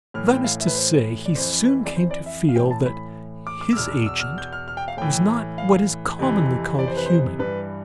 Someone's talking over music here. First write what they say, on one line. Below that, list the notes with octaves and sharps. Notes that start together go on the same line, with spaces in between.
That is to say, he soon came to feel that his agent was not what is commonly called human.
A2 E3 F6
G5
F5
E5
B4
C5
D5
F2 E3 C5
B4
D5
C5
D5
E5
F5
A2 E3 G5
A5
B5
D6
D6
E6
E2 B2 F6
F6
E6
F6
G6
F6
F6
G5
F5
A2 E3 G5
F5
F2 C3 E3
D5
C5
B4
C5
G2 E3 B4